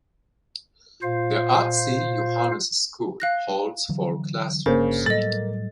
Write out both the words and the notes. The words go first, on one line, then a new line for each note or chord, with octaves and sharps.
The Atse Yohannes School holds four classrooms.
A#2 F4 C5 F5
F5 F#6 A#6
D3 E3 F#3
G1 C#3 A#3 C#4 D4 C5
A2 F#3 G3 A4 D#5 A6